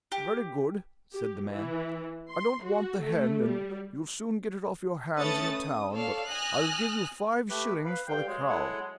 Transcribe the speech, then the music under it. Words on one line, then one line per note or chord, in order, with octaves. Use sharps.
'Very good!' said the man; 'I don't want the hen, and you'll soon get it off your hands in the town, but I'll give you five shillings for the cow.'
G4
G4
E3
C6
F#4
A3
G3
A3 C#4 B4 D#6 A6 C#7
D#6
A4 C#5 D5 F5
G#5 D#6 F6 F#6 A#6
A3 G4 B4
B4 F5
G2 D3 F5 G5
F#3 G#3
E4 A4 F#5